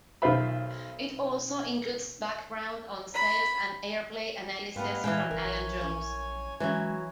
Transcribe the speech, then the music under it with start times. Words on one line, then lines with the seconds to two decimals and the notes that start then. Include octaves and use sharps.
It also includes background on sales and airplay analysis from Alan Jones.
0.22 B1 D#3 F4 C5 E5 B5
3.14 B5
4.76 G#2 G3 A3 B3 F4 B4
5.04 A#2 E3 G#3 F5 G5 A5
5.31 G1 A#4
5.45 A#1 C#5 G#5
5.81 C#4
6.60 E3 F#3 G#3 C#4 E5